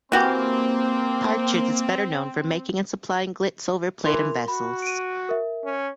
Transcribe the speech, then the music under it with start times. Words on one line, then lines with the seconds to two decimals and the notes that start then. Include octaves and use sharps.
Partridge is better known for making and supplying gilt silver plate and vessels.
0.12 E3 A#3 C4 F#4 G4
4.06 E3 A#4 C6 F7
4.48 F#4 B5
4.82 D7 D#7
5.29 A#4 E5
5.64 C#4